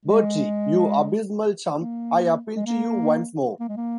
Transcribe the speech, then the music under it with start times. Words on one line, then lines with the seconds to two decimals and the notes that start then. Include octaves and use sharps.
Bertie, you abysmal chump, I appeal to you once more.
0.05 G#3
1.79 A#3
2.56 G#3
2.66 A#3
3.60 A#3
3.69 G#3
3.76 A#3